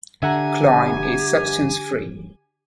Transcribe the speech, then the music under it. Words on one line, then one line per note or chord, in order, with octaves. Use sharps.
Cloyne is substance-free.
D3 G4 E5 F#5 G#5 A#5